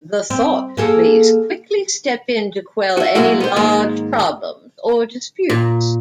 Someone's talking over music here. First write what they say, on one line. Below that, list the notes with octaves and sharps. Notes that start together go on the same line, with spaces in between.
The thought police quickly step in to quell any large problems or disputes.
C4
A#3 G#4 A4
F#4 E5
B2 F#3 G#3 A#3 E4 F#4
B3 C5
G#2 D#3 G#3 A#3
A#2